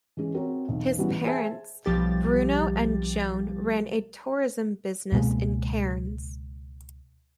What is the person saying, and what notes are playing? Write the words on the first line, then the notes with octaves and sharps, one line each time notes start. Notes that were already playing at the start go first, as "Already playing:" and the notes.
His parents, Bruno and Joan, ran a tourism business in Cairns.
E3 G#3 C#4 G#4
C4 F#4 A#4 C#5
E1 B1
E3 G3 B3 C#4 E4 F#4
E3
G#4 C5 E5 G#5 A5
B1 F3 G3 G4 A6
C#2 B2 G#3 A#3